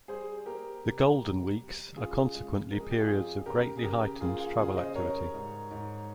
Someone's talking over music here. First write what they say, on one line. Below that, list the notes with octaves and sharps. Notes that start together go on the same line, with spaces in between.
The Golden Weeks are consequently periods of greatly heightened travel activity.
G3 G#4 C5
A#3 G4 A#4
C3
G3
G3
C#3 F4 G#4
G#3
F2 A#4
G#4
G4
F4 G#4
C4
C#3 G4 A#4
G#4
C#3 G4 A#4
A#3 F4 G#4
F4 G#4
C#3 F4 G#4
C5 D#5
G3 A#4 C#5
G#2
G#2